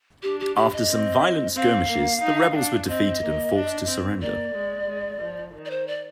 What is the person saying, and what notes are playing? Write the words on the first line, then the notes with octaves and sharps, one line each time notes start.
After some violent skirmishes the rebels were defeated and forced to surrender.
D4 G4
G4
G4
D#5
C4
C4 F5
A#3
D#4
D4
C4 D#5
A#3
D4
C4
A#3 D5
G#3
G#3
F3
D#3
D5
C5
D5